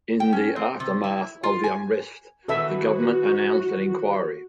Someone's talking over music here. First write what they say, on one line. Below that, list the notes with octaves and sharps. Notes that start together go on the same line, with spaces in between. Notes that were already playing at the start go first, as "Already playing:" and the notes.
In the aftermath of the unrest the government announced an inquiry.
G5
C#4
C4
C3
E4
F4
G#5
D#3 E3 B3 F#4 A4 E5